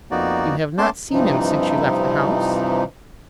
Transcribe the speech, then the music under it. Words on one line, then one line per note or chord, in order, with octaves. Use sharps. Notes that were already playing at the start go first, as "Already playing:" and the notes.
"You have not seen him since you left the house?"
F2 A#3 B3 D#4 F#4 D5
A3 B3 C#4 A5 C6 D6
G2 C3 E3 F3 D#4